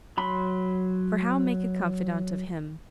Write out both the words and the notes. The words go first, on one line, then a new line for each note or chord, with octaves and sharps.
For how make a confidant of him?
F#3 B5 C6